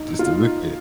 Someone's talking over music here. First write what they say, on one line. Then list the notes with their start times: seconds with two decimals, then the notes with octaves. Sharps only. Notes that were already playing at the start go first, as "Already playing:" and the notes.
just to look at.
Already playing: D#4
0.19 F4
0.28 D#4